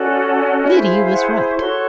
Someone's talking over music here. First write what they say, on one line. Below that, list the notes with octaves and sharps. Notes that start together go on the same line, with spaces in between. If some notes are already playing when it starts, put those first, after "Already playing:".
Liddy was right.
Already playing: C#4 F#4 A4 D5
D#5
E4 G#4 C5 E5
F5
F5
F#5
C#6
F#4 A4 C#5 C6